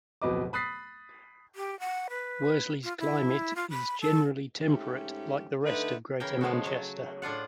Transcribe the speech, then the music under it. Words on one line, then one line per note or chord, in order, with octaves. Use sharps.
Worsley's climate is generally temperate, like the rest of Greater Manchester.
D1 F2 B2 B4 D#5 D6
B5 D#6 F#6 A6 B6 C7
G4
F#5
B4
F4
E4
F4
B5
A4
G#2 A3 C#4 G4
D3 A3 D#4 B4
C#3 E3 A#4 G5
F3 G#3 A3 F#4
F#3
A2 D4 F4 F#5